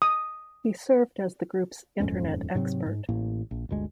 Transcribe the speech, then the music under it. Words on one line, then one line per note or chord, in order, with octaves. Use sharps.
He served as the group's Internet expert.
D#6
D#1 F2 G#2 C#4
G#2 C3 F#3 C4
G#2
A1 A2 A#3
A#1
G1 D2 G#3